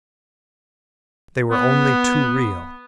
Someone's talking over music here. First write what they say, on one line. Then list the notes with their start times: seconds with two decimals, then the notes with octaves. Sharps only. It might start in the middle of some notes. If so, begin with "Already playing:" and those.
They were only too real.
1.51 B3